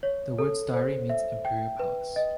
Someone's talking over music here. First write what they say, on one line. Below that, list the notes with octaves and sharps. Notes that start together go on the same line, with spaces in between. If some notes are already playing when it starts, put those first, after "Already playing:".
The words "dairi" means "imperial palace".
C#5
A4
C5
E5
G5
B4
D#5